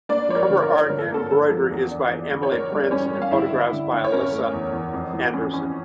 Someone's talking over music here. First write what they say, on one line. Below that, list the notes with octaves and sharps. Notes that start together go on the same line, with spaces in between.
Cover art embroidery is by Emily Prince and photographs are by Alissa Anderson.
A#3 D4 D5
F3 C#5
A#4
D3
A#4
D4
D3 A#4
A4
A#3 A4
D3 A4
F3
E2
D4
E2
D3
C#5
D4 A#4
G3
G3 C#4 C#5
G3
F5
D3 E4 E5
D3
D3
D3
C#5
C#4 A#4
A3
E2
E2
F2
E3
C#4
C#4